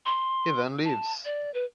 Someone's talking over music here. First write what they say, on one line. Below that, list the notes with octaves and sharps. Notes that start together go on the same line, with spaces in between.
He then leaves.
C6
A5
D5
B4